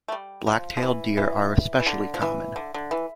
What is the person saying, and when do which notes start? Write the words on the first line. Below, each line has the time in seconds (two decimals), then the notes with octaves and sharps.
Black-tailed deer are especially common.
0.08 A3
0.12 G3
0.47 F3
0.77 F3
0.83 E3
1.17 E3
1.80 E3
1.87 D3
2.14 F3
2.22 E3
2.56 D3
2.74 D3
2.91 E3